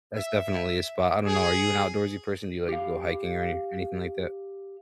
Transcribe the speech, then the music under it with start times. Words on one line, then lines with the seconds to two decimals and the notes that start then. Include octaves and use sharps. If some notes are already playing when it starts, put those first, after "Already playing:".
that's definitely a spot. I don't know, are you an outdoorsy person? Do you like to go hiking or any anything like that?
0.15 E5
1.27 G#4
2.69 G4 F5